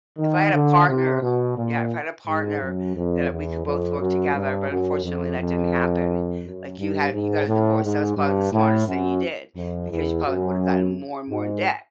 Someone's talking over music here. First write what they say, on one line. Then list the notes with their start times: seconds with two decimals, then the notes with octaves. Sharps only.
If I had a partner Yeah, if I had a partner, that, uh, we could both work together, but unfortunately that didn't happen. Like, you had you got a divorce, that was probably the smartest thing you did, because you probably would have gotten more and more in debt,
0.18 D#3
0.53 D3
0.88 C3
1.22 B2
1.58 A#2
2.26 G#2
2.62 F#2
2.96 F2
3.30 E2
3.65 F2
4.00 F#2
4.35 G2
4.70 F#2
5.04 F2
5.39 F2
6.43 F#2
6.78 G2
7.13 G#2
7.47 A2
7.83 G#2
8.17 G2
8.52 A2
8.87 F#2
9.56 F2
9.91 E2
10.26 F#2
11.29 G#2